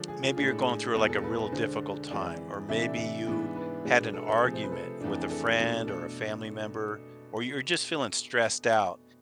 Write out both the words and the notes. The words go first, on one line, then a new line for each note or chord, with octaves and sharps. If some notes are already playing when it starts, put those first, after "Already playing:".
maybe you're going through, like, a real difficult time, or maybe you had an argument with a friend or a family member, or you're just feeling stressed out
Already playing: D3 F3 G#3 D4
G#4
F4
A2 G#3 D4 G#4
A4
G#4
E2 B2 G#3 A4
A4
B4
D3 G#3 D4 C5
F2 E3 G#3 D5
C3 E3 A3 D4 E5
D5
E5
G#2 E3 B3 D4
B4
B2 G#3 B3 D4
A4
A4
C3 F3 A3 G#4
C5
B4
A4
F2 E3 A3 D4
G#4
A4
B2 A3 D4
A4